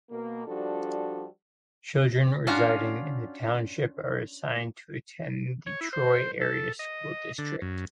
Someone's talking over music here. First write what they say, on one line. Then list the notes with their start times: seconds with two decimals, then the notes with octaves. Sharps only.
Children residing in the township are assigned to attend the Troy Area School District.
0.10 B2 A#3
0.45 F3 G3 D4 F#4 A4
2.47 C#4 D4 F4 F#4 F5 A#5
5.66 C#5
5.81 E4
5.93 C5
6.41 A4
6.79 D#5
7.38 D3
7.62 F#2